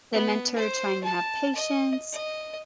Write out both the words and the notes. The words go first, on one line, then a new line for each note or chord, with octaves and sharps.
the mentor trying to have patience,
B3
C5
A5
D#5
D#5